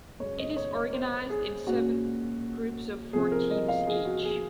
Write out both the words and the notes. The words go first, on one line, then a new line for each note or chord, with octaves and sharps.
It is organized in seven groups of four teams each.
F#2 C#3 G#3 C#4 C#5
D#5
D#5
C#5
C#5
C5
G#4
A#2 G#3 C#4 F#4
C3 F3 C4 G#4
A#4
D#5
F5
G#4
F#4
G#4